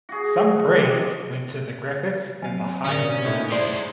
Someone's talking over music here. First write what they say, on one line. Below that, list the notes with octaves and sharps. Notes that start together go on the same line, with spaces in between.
Some praise went to the graphics and the high resolution.
F#4 G#4
C3 G#3
F#3 C4 F5 G#5
A2 D3 C#4 A#4 D5 D#6
A2 D#4 E5 G#6
G#3 E4 C5 D5 C6